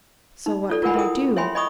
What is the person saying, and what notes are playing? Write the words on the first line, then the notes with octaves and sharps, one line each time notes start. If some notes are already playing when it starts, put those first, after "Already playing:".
So what could I do?
D#4
F4 A4 D5
F4 A#4 F#5 G#5 B5
E4 A4 A#4 G5 G#5 D#6
C#5 E5 G5 G#5 B5 C6
D#5 G#5 B5 C#6 D#6